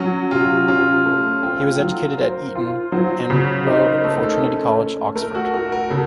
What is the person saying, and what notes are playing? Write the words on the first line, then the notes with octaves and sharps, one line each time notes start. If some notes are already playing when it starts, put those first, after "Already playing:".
He was educated at Eton and rowed for Trinity College, Oxford.
Already playing: F#3 C#4
C3 F4
C#4 F4
A3
C4 F4
F#3
A#4 C5
F4
F#3 C5
C#3
D#4 C5
A#4
A3 A4
A4
C#4
A3
A3 A#4
F#4
F#4 A#4
A#4
C#3 A4